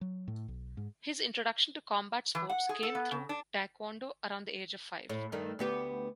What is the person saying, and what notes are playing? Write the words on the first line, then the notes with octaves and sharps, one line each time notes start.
His introduction to combat sports came through taekwondo around the age of five.
F#3
A2
B1
G#2
E3
F#5
G#4
A4
B3
C#3
D4
A2
G2 D#3 A3
D2 B3 G4